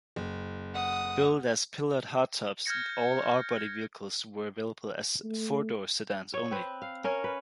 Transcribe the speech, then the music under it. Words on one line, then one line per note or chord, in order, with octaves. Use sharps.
Billed as "pillared hardtops", all R-body vehicles were available as four-door sedans only.
F#1
F#5 D#6
F6 G6 G#6 A#6 C#7
A3
C#5
C4 B4
F5
C#4 A#4 C#5
B4